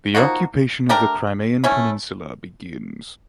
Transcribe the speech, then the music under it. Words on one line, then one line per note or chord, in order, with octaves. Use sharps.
The occupation of the Crimean peninsula begins.
F3 A#3 D#4 F#4
A3 D4 G4 A#4
A3 C#4 E4